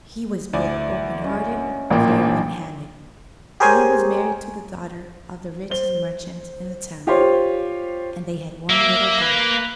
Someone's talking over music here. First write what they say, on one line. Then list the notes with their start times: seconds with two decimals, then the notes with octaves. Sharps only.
He was both open-hearted and open-handed, and he was married to the daughter of the richest merchant in the town, and they had one little daughter.
0.53 D2 E4 D5 G#5
1.22 C#4 D#5
1.90 A1 A#2 A#3
2.07 G#3 D4 C5
3.60 G4 G#4 A#4 C5 C#5 G#5
5.70 C5 G7
7.07 F4 G4 C5 C#5 C6
8.70 A#3 E5
9.21 B4